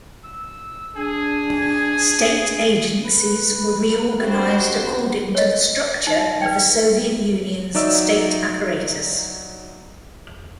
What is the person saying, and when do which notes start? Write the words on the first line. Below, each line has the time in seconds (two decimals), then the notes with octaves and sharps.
State agencies were reorganised according to the structure of the Soviet Union’s state apparatus.
0.24 E6
0.96 D4 G#4 G#5
3.04 B4
4.20 C4 D4 F#4 G4 C5
5.35 C#5 D#5
6.07 D#4
6.41 B4 D5 G5
7.75 F#3 D#4 D5 E5 E6